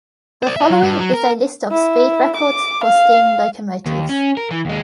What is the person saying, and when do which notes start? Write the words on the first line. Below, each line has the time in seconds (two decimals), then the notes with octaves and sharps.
The following is a list of speed records for steam locomotives.
0.43 C5 D5
0.56 C#5 E5
0.70 F#3
0.83 G2
1.00 F#3
1.14 A#4
1.71 E4
2.37 D6
2.84 F5
3.86 D#2
4.09 C#4
4.37 A#4
4.51 E3
4.65 D#2 G#3